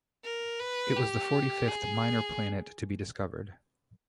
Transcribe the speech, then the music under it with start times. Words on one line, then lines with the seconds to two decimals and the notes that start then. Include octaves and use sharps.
It was the forty-fifth minor planet to be discovered.
0.24 A#4
0.60 B4
0.96 G4
1.68 G#4